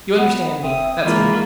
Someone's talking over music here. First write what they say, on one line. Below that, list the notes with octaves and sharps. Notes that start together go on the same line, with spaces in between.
You understand me; that's enough.
B3 F#5
F#1 C4 E5 D#6
E3 G#3 A#3 E4 F4